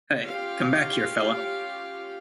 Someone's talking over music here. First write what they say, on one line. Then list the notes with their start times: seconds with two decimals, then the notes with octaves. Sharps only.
Hey, come back here, fella!
0.25 C#4 F4 G4 F5